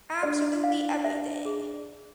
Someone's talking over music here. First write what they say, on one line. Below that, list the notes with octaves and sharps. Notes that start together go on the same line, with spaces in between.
Absolutely everything.
D4 D5
F5
E5
G#4